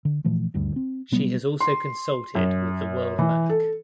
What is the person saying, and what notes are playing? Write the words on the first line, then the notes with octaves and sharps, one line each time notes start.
She has also consulted with the World Bank.
D3
A#2 E3 F3 A3
D#1 D2 G2
C4
B2 F#3 G3 B3
C6
F#2
E3
A4